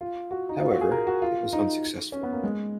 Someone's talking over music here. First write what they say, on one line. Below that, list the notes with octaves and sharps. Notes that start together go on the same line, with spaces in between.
However, it was unsuccessful.
F4
F#4
D#4
F4
F#4
G#4
A#4
F#4
F4
D#4
C#4
B3
A#3
G#3